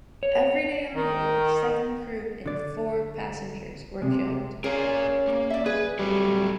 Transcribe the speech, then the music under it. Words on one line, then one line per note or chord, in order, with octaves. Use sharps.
Everybody on board, seven crew and four passengers, were killed.
C#5
D#3
D3 D5
C3 G#3
C#4 G#4 A#4 D5 F5
A#3
D5 E5
G#4 B4
F#3 G3 A3 C4